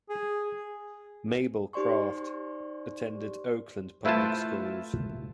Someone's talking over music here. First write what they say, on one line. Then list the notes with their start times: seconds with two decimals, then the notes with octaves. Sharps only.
Mabel Craft attended Oakland public schools.
0.09 G#4
1.73 D#4 G4 C5 D5 C6 C#6
4.05 A3 E4 F4 B4 C5 A5